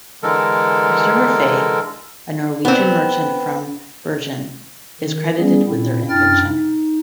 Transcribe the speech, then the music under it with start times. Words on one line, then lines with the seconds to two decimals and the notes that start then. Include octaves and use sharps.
Christopher Faye, a Norwegian merchant from Bergen, is credited with their invention.
0.23 D3 E3 G#3 A4 A#4
2.65 B3 C4
5.01 D#3
5.38 G3 B3 C#4 G#4
5.68 A#2 C4 E4
6.09 F#2 D4 E4 G5 F6 A6
6.46 D#4